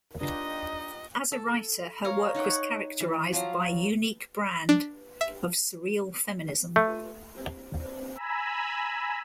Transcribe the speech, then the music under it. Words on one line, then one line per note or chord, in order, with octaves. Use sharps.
As a writer her work was characterized by unique brand of surreal feminism.
D4 D#4 F4 G4 B4 D#5
A4
A#4 C#5 F5 A#5
D#4 C#5 F#5 G5
E3
F3 F#3 F5 A#5
D4
E5
A3
G#5 A#5 B5 E6